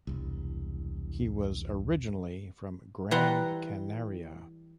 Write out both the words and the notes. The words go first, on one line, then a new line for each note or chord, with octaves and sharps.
He was originally from Gran Canaria.
E1 C2
E3 G3 F#5 A#5 C6